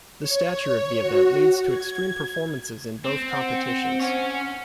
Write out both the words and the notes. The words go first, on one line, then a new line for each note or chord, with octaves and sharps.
The stature of the event leads to extreme performances in both competitions.
C#5
F#4
G#6
C4
F#5
C#4 C#5